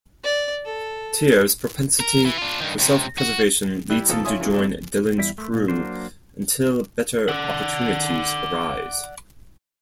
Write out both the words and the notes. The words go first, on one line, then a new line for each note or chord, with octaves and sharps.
Tyr's propensity for self-preservation leads him to join Dylan's crew until better opportunities arise.
D5
A4
A#4
E3
D4 F4
G2 D#3
C#2 C3
F#4
G3 E4 G4 F#6
C#2 B2 D#3 F3 A4
F4 C#5 E5 G#5 C6 D#6
C#3 E3 F#3 G#3
C3 A3 D4
E2 G3 E4 E5
A3
A#2
F#3 A#3 D4 C5
D5 F#5